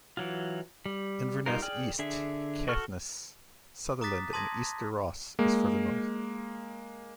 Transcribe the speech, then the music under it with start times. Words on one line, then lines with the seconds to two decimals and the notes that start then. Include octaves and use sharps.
Inverness East, Caithness, Sutherland and Easter Ross is further north.
0.17 E3 F#3 F4
0.86 G3
1.46 G3 D#4 F4 A#4
1.62 G#4 D5 G5 F6
1.99 D3 D4 G#4 E5
2.68 F#4 A4 C#6 F6
4.01 A#5 D6 D#6 F#6 A6 B6
4.33 A5 C6 D#6 G#6 A#6
5.39 G#3 A#3